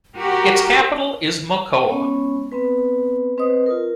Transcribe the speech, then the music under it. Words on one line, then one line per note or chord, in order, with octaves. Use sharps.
Its capital is Mocoa.
F#4 G4 A#4
G#3 B3 C#4 C#5
B3 C4 B4
C4 B4 C5 D#5 D#6
F4 A#4